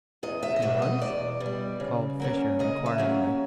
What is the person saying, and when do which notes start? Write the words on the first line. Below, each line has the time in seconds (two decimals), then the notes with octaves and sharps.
"He was?" called Fischer inquiringly.
0.23 E2 D#5
0.43 E5
0.56 D#5
0.62 B2 G3 E5
0.82 D#5
1.02 E2 D5
1.40 B2
1.46 G3
1.80 C#3
2.20 F#3 A#3 C#4
2.59 C#3 D#5
2.86 E5
2.98 F#3 A#3 C#4